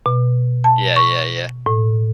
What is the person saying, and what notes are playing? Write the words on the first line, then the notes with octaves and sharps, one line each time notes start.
Yeah, yeah, yeah.
B2
A5
C#6
A2